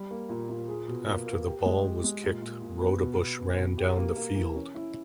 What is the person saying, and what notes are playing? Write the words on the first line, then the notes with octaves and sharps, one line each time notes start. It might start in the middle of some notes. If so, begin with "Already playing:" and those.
After the ball was kicked, Roudebush ran down the field.
Already playing: G3
A#3
A#2
A#2
G#4
B2
A#3
A#3
G4
G#3
G4
G#3
A#2
A#2
A#2
B3
B2
B3
B3
B2
G4
A#3
A#3
E3
C#4
E4